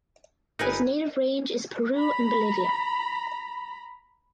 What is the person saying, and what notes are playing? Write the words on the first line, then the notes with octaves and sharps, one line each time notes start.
Its native range is Peru and Bolivia.
G1 D#4 A#4 B4 G#5
A#5 B5